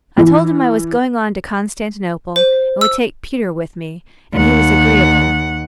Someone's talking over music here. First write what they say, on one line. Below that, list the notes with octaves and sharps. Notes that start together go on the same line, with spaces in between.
I told him I was going on to Constantinople and would take Peter with me, and he was agreeable.
E3
C5
E6
D#2 F#5